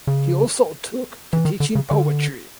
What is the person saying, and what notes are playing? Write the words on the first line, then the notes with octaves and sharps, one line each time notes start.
He also took to teaching poetry.
C#3
E3
D#3
D3
C#3
D3